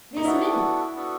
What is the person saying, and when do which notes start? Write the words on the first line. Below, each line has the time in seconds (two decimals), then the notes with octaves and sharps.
This minute!
0.17 D#4
0.24 B3 D4 E4 F#4 A4
0.94 B3 D4 F#4 A4